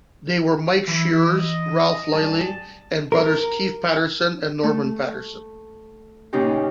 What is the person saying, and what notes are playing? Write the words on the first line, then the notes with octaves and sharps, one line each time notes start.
They were Mike Sheeres, Ralf Lilley, and brothers Keith Patterson and Norman Patterson.
E3 E4 B5
D#5
G2 G#4 A5
A#4
A3
A#2 C#3 C#4 D#4 G4